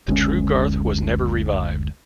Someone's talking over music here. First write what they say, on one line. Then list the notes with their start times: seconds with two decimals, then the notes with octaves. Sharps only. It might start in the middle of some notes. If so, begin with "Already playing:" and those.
The true Garth was never revived.
0.08 F#1 D2 G#3 C#4